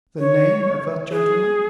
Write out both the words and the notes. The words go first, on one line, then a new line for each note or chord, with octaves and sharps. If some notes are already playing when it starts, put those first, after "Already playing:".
"The name of that gentleman?"
C#5
G#4